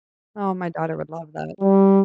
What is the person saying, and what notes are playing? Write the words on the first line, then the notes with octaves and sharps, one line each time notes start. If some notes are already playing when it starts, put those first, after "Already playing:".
Oh, my daughter would love that.
G3